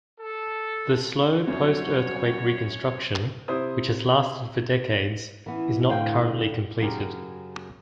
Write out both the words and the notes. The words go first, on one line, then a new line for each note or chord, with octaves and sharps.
The slow post-earthquake reconstruction, which has lasted for decades, is not currently completed.
A4
F#2 C3 F#3 G3 F#4 C#5
C3 E4 C5 D#6
E3 B3 C#4
A2 D3 F5 G5
F#2 C#3 G4 G#4 A#4